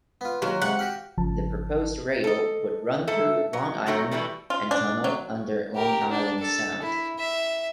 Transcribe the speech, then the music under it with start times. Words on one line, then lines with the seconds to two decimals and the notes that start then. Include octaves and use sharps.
The proposed rail would run through Long Island and tunnel under Long Island Sound.
0.21 B3 F4
0.42 D#2 F#3 F4
0.62 G#2 C3 F#5
0.79 F#4 G4 F5
1.18 G#1 C#3 F3 A5
2.24 A4 D#5
3.07 G#2 A4 E5
3.53 F#3
3.86 F#3 A3 C4 D#4 F#4
4.11 B2 E3 G3 A3
4.50 F4
4.71 D4
5.04 F#3
5.76 G4 A#4
6.10 D4
6.40 A4
6.82 E4
7.19 E5